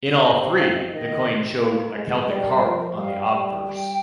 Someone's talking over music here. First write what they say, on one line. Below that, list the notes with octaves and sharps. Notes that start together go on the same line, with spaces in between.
In all three, the coin showed a Celtic harp on the obverse.
F5
C3 D#5
F5
F5
F5
D#5
D#3 D#5
A#3
G#3
G3 D5
A#4
C5
F3 A#4
A#4
G3 F5
G5